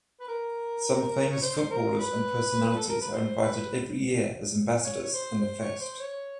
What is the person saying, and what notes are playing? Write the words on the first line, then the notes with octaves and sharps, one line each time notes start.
Some famous footballers and personalities are invited every year as ambassadors in the fest.
B4
A#4
C#5
C5
A#4
B4
A4
A#4
B4
C5
B4
C#5
C#5
C5
C5
C#5
C5
C#5